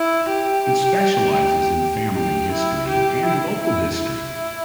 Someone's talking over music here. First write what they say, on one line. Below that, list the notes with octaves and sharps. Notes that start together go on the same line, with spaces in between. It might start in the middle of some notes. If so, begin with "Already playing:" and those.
It specialises in family history and local history.
Already playing: E4
G4
G4
E4
G4
E4
E4
E4